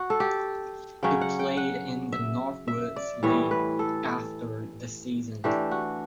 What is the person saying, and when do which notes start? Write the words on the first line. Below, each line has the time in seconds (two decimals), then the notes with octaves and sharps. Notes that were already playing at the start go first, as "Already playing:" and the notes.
He played in the Northwoods League after the season.
Already playing: F#4
0.10 A4
0.20 G4
1.03 C#3 F#3 C#4 G5
1.21 F#5
1.39 G5
1.57 F#5
2.12 E5
2.68 E5
2.96 D5
3.23 A2 E3 G3 C#5
3.51 B4
3.79 A4
5.44 E3 A3 D4 G4
5.71 F#4